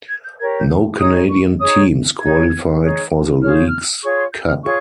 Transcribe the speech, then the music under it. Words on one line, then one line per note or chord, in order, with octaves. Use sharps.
No Canadian teams qualified for the Leagues Cup.
G#6
G6
G4 A#4 C#5 G#6
G6
D#4 G#4 C#5 D#6
C#6
D#4 G#4 C#5 D#6
D#4 G#4 C#5 G#6
D#4 G#4 C#5
F4 G#4 C#5 F6
G6
F6
F4 G#4 C#5 C#6
C6
G6
F6
F4 G#4 C#5 C#6